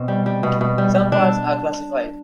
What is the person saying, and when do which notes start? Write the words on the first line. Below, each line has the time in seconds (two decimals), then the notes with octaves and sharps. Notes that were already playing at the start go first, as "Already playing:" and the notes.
Some parts are classified.
Already playing: B2 C4
0.08 G3
0.26 G3
0.43 B2
0.61 B2
0.78 G3
0.95 G3
1.12 G3 D4